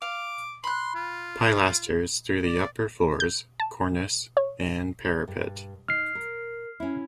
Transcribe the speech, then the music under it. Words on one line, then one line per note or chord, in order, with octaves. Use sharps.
Pilasters through the upper floors, cornice and parapet.
F5 D6
B5 C6 F#6
F4
D5
G6
A5
C#5
G2
D#4 F6 C7
A#4
C#4 E4